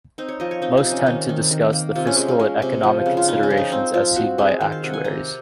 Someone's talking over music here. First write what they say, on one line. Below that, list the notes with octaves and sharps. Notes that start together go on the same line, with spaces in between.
Most tend to discuss the fiscal and economic considerations as seen by actuaries.
C4 D#4
C#5
F3 D#5
C#5
C4 D#4
D#4
C3
C#4
D#3 D#4
D#3
D#3
A#3
C3 F4
C#4
G#3 C#4
C#4
G#3
C3
F3
C#3
F4
C#3 D#4
C#4
F3
D#4
C4 D#4
F3 F4
C4 F#4
C4 G#4
D#3 C5
F5
C3 F#5
G#5
C3 A#5